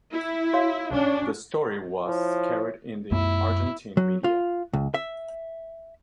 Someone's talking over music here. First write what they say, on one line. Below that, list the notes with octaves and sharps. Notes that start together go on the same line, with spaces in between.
The story was carried in the Argentine media.
E4
F#4 C#5 F5
C#4 D4
F3 E4 C#5
F#2 A3 B3 E4
F#3
F4
C#2
E5